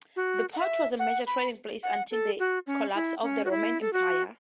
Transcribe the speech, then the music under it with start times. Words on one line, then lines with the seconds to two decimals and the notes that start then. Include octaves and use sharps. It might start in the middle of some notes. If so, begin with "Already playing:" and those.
The port was a major trading place until the collapse of the Roman Empire.
0.16 F#4
0.54 F#5
0.58 E5
0.99 F#5
1.27 B5
1.83 F#5
2.11 A4
2.39 F#4
2.67 C#4
2.95 E4
3.22 C#4
3.45 F#4
3.51 E4
3.81 A4
3.93 F#4